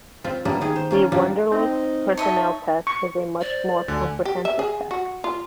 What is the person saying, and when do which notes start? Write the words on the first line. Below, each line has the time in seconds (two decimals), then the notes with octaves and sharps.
The Wonderlic Personnel Test is a much more comprehensive test.
0.24 C4 F4
0.45 G3 A#3 B3 D4 E4
0.61 D#3 D#4 G#4
0.76 C5
0.91 A#3 C#4 F4
1.12 F3 G3 A#3 D4 F4
1.52 C4 D#4
2.17 D#4 C#5 D#5 E5 A5
2.87 C#6
3.41 C5 D5
3.88 D2 D3 G#5
4.25 G4
4.45 E5
4.59 G#4
4.91 F#4
5.24 F4